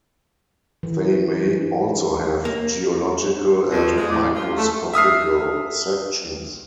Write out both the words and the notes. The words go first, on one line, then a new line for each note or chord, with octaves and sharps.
They may also have geological and microscopical sections.
E3
A#3
F2 B2
G#3
A2 D5
F#2 F4
A3
E5 D#6 F6 C7